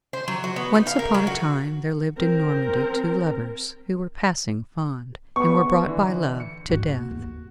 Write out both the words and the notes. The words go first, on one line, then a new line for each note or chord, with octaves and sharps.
Once upon a time there lived in Normandy two lovers, who were passing fond, and were brought by Love to Death.
C5
F#3
F#4
B3
D#4
F5
A#4
F#3
F#4
C4 A#4
B3 C#6
D3 E3
C#7
G#2 A#3 F#4
D#2